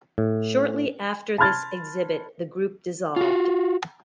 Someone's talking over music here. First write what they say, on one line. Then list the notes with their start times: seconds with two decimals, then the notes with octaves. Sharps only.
Shortly after this exhibit, the group dissolved.
0.18 A2
1.38 A5 B5 C6 F6 G#6 A6
3.16 F4 F#4